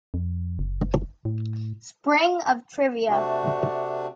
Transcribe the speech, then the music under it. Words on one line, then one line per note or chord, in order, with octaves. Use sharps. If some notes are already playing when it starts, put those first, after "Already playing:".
Spring of Trivia.
F2
F#1
A2
C3 A3 D4 F#4